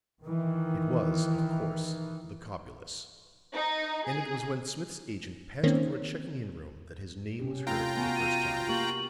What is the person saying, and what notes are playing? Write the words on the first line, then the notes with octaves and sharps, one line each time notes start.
It was, of course, the Cobulus; and it was when Smith's agent passed through a checking-in room that his name was heard for the first time.
D#3 E3
D#4
G#4
D#3 A#3 C4 C#4
C3 C#4 G4
A2 F4 G5 A#5
B3 F#4 G#5
D#7
A#3 G4 C#6 F#7